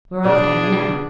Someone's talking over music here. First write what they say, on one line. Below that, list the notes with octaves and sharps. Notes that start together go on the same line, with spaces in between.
We're after her now.
B2 D4 G#4 D5